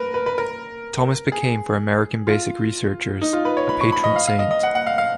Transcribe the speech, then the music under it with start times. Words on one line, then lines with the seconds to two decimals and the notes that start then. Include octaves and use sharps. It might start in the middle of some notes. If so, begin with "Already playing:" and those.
Thomas became for American basic researchers a patron saint.
Already playing: A#4 B4
0.14 B4
0.26 B4
0.38 A#4
1.32 G#4
2.27 F4
3.21 D#4
3.33 F4
3.45 B4
3.57 C#5
3.69 B5
3.81 C#6
3.92 B5
4.04 D#5
4.16 F5
4.27 F5
4.39 D#5
4.51 D#5
4.63 F#5
4.75 F#5
4.87 F5
4.98 F5